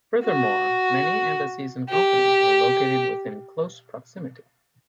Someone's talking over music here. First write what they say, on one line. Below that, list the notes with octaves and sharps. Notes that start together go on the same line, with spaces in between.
Furthermore, many embassies and companies are located within close proximity.
F#4
G4